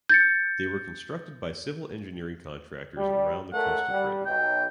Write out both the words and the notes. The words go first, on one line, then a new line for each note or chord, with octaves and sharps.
They were constructed by civil engineering contractors around the coast of Britain.
G6 A6 C#7
G3
C#2 A3 A#4 F#5
G3
B1 G5